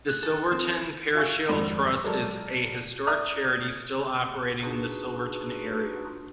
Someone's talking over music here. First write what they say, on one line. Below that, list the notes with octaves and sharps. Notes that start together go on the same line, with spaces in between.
The Silverton Parochial Trust is a historic charity still operating in the Silverton area.
F#6
A4
C4
F#4 E5 F5 G#5 C#6 E6
D#1 F2 G#2 D4 B5
F#3 G#3 A4 A#4 D5
D5 E5 A#5 D#6 F6 F#6
D4 D#4 F4 F#4 G#4 B4